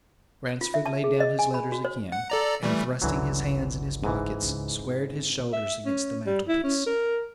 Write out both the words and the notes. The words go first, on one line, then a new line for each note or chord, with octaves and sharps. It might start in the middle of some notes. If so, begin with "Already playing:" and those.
Ransford laid down his letters again, and thrusting his hands in his pockets, squared his shoulders against the mantelpiece.
F4
E5
A5
G#4
D#5
G#5
B5
F#4
C5
F#5
A4 D5 A#5
E3 G3 A3
G1 C#2 D3 E3 F#3
G#2 E3
C#2 D4
C4
E5
C#4
G3
E4
C#4
A#4